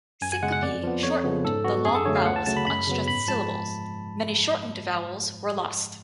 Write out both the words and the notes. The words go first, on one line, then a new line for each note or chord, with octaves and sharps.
Syncope shortened the long vowels of unstressed syllables; many shortened vowels were lost.
F#2 G#5
G#5
C#3 G#3 F#5
F#5
F2 D5
F3 B3
F2 C#5
C#3 F3 B3
G#2 A4
F#3 B3 F#4
F#2 G#4
A4
D3 F#3 A3 C#5
F5
D2 F#5
A5
C#3 F#3 A3 A5
B5
F#2 B5
C#3 F#3 B3
G#2 B5
F3 G#3 A5